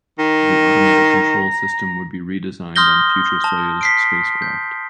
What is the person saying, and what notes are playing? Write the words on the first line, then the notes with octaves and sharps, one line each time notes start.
The automatic control system would be redesigned on future Soyuz spacecraft.
D#3 A#5
C6 D#6 F6 G6 A#6 G7
A5
B6 C7 D7
G6